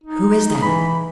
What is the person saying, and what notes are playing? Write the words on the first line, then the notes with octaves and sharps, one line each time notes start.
"Who is that?"
D#4
E3 B5